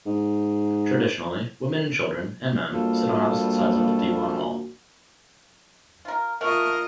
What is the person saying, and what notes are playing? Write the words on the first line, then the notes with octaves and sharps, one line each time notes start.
Traditionally, women and children, and men sit on opposite sides of the diwan hall.
G#2
A#1 G3 A#3 F4 F#4 A4
F4 A#4
A3 F4 F#4 A#4 D#5